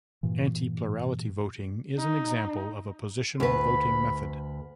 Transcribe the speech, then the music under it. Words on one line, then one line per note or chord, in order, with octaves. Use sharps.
Anti-plurality voting is an example of a positional voting method.
G2 A#2 E3
D#4
D2 B4 B5